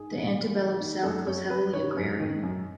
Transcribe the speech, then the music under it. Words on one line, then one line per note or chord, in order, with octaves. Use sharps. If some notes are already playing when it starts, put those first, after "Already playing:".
The antebellum South was heavily agrarian.
Already playing: G#2 G#4
E3
E3
E3
G#2
F#2 A4
F#2 C#5
F#2 B4
D#3 C#5
F#2
D#3
F#2